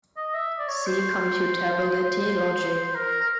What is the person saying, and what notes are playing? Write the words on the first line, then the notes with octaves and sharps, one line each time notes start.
See Computability logic.
D#5
E5
D5
C#5
C5
A#4
A#4